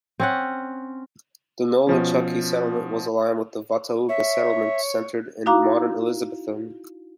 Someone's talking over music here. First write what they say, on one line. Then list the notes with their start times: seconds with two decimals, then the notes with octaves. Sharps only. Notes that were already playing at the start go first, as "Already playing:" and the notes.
The Nolichucky settlement was aligned with the Watauga settlement, centered in modern Elizabethton.
0.20 C4 C#4 F#5
1.87 B2 F3 C#4
4.09 C#5 E5
5.46 D#4 E4 F#4 F5 A#5 D6